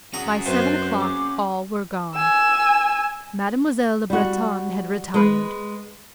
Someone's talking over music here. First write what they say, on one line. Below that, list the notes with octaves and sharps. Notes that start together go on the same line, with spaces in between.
By seven o'clock all were gone. Mademoiselle Le Breton had retired.
D3 C#4 F#4 G#4 A#5 D#6
F#2 C3 B4 C5
A#3 G#4 C5 D6
G#5 E6
G3 F#4
G#3 B4